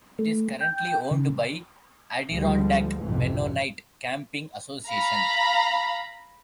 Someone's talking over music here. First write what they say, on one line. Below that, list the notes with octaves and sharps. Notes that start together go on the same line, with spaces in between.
It is currently owned by Adirondack Mennonite Camping Association.
A3
G5
C#3
D2 F3 G3 G#3
B1 F2 G#2 C3 E3
F5 A#5 B5